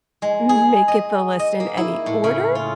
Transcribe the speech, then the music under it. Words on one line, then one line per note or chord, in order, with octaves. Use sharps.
m make it the list in any order.
G#3
G#4
D#5
D#5
A#3
E4
A2
C#3
F4